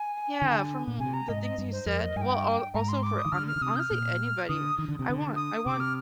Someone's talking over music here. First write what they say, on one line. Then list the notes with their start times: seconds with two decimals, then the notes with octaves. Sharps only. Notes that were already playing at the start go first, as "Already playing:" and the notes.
Yeah, from the things you said, well, al also for hon honestly, anybody I want I want
Already playing: G#5
0.42 D3
0.87 A#2
0.99 C3 G#5
1.14 A#5
1.29 G#2 D#5
1.43 D#5
1.58 G2
1.72 C5
1.86 F2 A#4
2.01 D#5
2.16 G2 G#5
2.21 G5
2.74 G#2 A#5
2.88 C6
3.03 D6
3.18 D#6
3.25 D#3
3.32 D3 F6
3.47 F6
3.56 D3
3.61 C3 D#6
3.76 G6
3.80 F6
3.91 A#2
4.48 D3 D#6
4.78 D#3
4.88 D3
4.99 C3
5.09 D3
5.36 D#6
5.66 C3 D6
5.80 F6